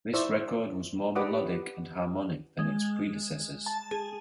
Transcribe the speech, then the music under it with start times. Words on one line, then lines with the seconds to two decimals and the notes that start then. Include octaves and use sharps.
This record was more melodic and harmonic than its predecessors.
0.13 E4 C5 D5 C#6 E6
1.15 G4 B4 D5 F#5 D6 D#6
2.59 G#3
3.66 A5
3.91 G#4